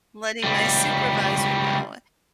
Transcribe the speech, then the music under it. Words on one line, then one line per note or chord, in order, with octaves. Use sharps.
letting my supervisor know,
C#2 G3